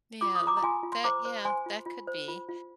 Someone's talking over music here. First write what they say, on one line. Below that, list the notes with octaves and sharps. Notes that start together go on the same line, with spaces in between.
Yeah, that that, yeah, that could be.
F4 D6
D#6
F4
A#5 D6
A#5
F4 G#5 C6
F4
C6
C5 A#5 D6
C5
C5 G#5 C6
F4
F4
C5
F4
F4